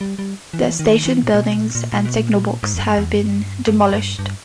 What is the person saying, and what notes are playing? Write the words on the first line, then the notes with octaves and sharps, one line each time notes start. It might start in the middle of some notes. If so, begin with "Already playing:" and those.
The station buildings and signal box have been demolished.
G3
G3
E3
D#3
E3
A#2
A#2
B2
A#2
A#2
A#2
B2
A#2
G#2
E2
G2
E2
G2
G2
G2
G2